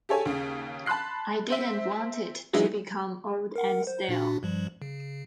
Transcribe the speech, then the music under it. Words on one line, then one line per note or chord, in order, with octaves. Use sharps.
I didn't want it to become old and stale.
G4 A4 C#5 G#5
D#2 C#3
A5 B5 C6 F#6 C7
C4 C5 E5
E3 F#3 G#3 D#4 E4 G#4
A#4 F#5
C5
A#2 D4 F#4
G2 F3 G3
C#3